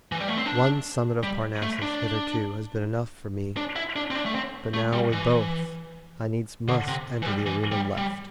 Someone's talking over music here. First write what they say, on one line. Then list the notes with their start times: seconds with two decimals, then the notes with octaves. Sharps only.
One summit of Parnassus hitherto Has been enough for me, but now with both I needs must enter the arena left.
0.12 E3
0.20 G3
0.28 A3
0.37 C4
0.46 D4
1.23 G3
1.62 A3
1.82 D4
3.57 D4
3.76 E4
3.96 D4
4.10 C4
4.15 D4
4.26 A3
4.35 C4
4.74 A3
4.93 G3
5.12 E3
6.68 D3
6.88 C3
7.22 E3
7.26 G3
7.46 E3
7.72 G3
7.97 G3